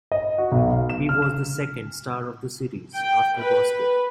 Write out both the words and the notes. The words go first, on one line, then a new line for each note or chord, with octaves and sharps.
He was the second star of the series, after Bosko.
D#5
F#4
B1
F5
E7
F6
E7
G5
B4